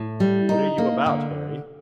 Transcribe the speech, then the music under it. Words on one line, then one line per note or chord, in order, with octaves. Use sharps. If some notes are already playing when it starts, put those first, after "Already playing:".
"What are you about, Harry?"
Already playing: A2
G3
D#4
A#3
D3